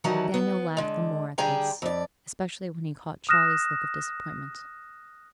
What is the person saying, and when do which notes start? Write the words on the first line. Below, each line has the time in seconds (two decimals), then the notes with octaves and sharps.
Daniel laughed the more at this, especially when he caught Charley's look of disappointment.
0.04 D#3 E3 F#3 G3 F#4 A5
0.34 B3
0.77 D3 G#3
1.38 D3 G3 G#4 G5 A#5
1.82 F2 D5
3.29 D#6 F6 F#6 A#6 E7